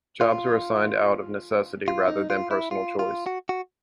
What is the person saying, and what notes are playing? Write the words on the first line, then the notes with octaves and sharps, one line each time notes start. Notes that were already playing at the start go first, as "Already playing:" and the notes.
Jobs were assigned out of necessity rather than personal choice.
F4
F4
D#4
F4
E4
F4
F4
F#4
F#4